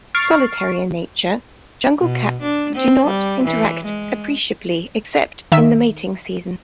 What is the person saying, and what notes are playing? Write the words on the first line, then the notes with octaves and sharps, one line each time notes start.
Solitary in nature, jungle cats do not interact appreciably except in the mating season.
C#6 F6 A6 C7 D7
B2
D4
C4
G3
E3
G#3
D#3 E5